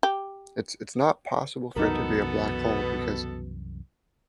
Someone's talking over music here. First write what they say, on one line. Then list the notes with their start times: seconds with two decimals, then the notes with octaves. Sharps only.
"It's it's not possible for it to be a black hole because
0.03 G4
1.76 C2 F#2 B2 E3 B3 D#4 A4 A#4